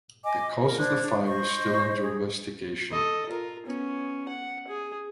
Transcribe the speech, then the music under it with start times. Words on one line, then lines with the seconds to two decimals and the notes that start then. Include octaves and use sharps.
The cause of the fire is still under investigation.
0.25 D#5 G#5 D6
0.61 A#4
0.78 D4 C5 F#6 G#6
1.03 D4
1.28 C5 D#5 C#6
2.02 G#4
2.91 A4 D#5
3.29 F4 A#4
3.66 B3 C#4
4.28 F#5
4.67 G#4